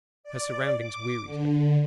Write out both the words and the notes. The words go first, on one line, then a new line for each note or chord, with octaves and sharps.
Her surroundings wearied her.
D5
D6
D3